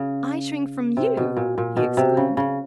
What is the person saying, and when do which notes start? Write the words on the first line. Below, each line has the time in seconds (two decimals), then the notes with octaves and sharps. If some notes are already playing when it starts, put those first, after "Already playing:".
"I shrink from YOU!" he exclaimed.
Already playing: C#3
0.97 C3
1.17 B2
1.37 A#2
1.58 A#2
1.77 B2
1.97 C3
2.17 C#3
2.37 C#3